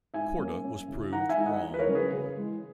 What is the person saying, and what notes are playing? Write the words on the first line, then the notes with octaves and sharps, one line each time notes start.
Korda was proved wrong.
G#2 E5 G#5
F#3 A#3 C#4
F#2
C#3 E3
D#3 F#5 A#5
E5 G#5
G#3 D#4
D#5 F#5
E2
B4
A#4 C#5
C#3 F#3 C#4
G#4 B4
C#3 G#4
E3 G#3